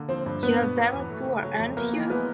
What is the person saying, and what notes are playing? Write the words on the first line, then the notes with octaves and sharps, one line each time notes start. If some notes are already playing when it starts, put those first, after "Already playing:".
You are very poor, ain't you?
Already playing: D3 A#3
F3 C4 C5
G2
B3 B4
B2
F#3
E2
A3
C#3
F#3
F2
A#3 B3 A#4
E3
G#3 B3 B4